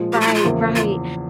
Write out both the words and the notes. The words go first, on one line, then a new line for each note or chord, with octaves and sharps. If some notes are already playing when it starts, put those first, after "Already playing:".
Right, right,
Already playing: A#2 F3 G#3
G4
F4
E4
F4
E2 C#3 F3 A#3 E4
F4